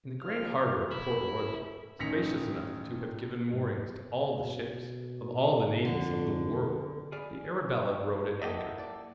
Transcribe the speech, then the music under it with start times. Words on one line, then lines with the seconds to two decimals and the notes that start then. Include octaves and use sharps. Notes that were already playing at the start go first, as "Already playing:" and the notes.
In the great harbour of Port Royal, spacious enough to have given moorings to all the ships of all the navies of the world, the Arabella rode at anchor.
0.22 G2 F3 F6
0.91 E4
1.99 A1 D#3 A#6 B6 C#7 F7
3.54 G#2
4.33 B2
5.85 F2 D3
7.12 G#4 D5 B5 F6
7.82 D4 G4
8.42 A#3 E4 G4 A4 D#5 E5 F#5 G5
8.78 A4 D5